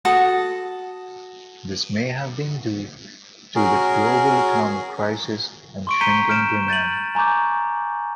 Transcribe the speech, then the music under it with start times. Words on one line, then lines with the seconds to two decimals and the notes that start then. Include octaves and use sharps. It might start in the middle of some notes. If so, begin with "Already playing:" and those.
This may have been due to the global economic crisis and shrinking demand.
0.05 F#4 A4 A5 D#6
3.56 C#4 F#4 G#4 A#4
5.87 C6 C#6 D7
6.01 A#5 G6 B6 C#7 D#7 G7
6.29 F6 G6 D7 E7
6.68 G6 A6 D#7 F#7
7.15 G#5 A#5 C#6 D6 G6